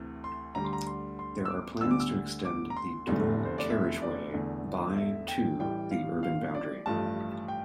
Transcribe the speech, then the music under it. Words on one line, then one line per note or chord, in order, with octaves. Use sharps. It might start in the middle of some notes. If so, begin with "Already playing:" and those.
There are plans to extend the dual carriageway by to the urban boundary.
Already playing: D2 C3 E3 A3
C6
D2 D3 G3 A#5
C6
A#5
C6
C6
E6
D6
D2 D3 G3 E6
D6
E6
D6
A#5
C6
F1 E2 D3 A3
C5
D5
E5
D5
E2 D3 A3
E5
G5
A1 A2 E3 G3 G5
F5
F5
D5
A1 G2 F3 A3 A5
G5